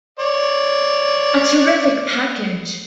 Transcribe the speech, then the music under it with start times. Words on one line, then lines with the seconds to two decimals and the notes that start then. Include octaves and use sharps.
A terrific package!
0.19 C#5 D5